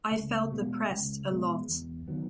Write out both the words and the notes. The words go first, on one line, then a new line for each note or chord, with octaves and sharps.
I felt depressed a lot.
C#2
B2 G#3 B3
C#2
B2 G#3 B3
E2
D#3 F#3 B3